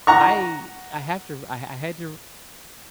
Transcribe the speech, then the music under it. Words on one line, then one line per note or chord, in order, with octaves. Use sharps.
I I have to I I had to
F#5 A#5 C#6